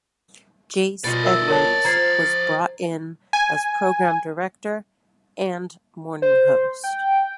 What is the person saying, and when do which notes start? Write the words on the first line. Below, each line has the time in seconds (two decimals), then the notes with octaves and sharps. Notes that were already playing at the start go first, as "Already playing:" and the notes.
Jace Edwards was brought in as Program Director and Morning Host.
1.04 B2 G3 F4 D5 D#5
1.23 A#4 E5 E6
1.48 A#4 C#5 A5
1.85 F3 A#5 G#6 C7
3.33 G#5
6.22 C5
6.83 G5